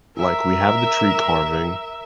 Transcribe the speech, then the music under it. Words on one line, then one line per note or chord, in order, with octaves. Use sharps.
like, we have the tree carving.
A#4 E5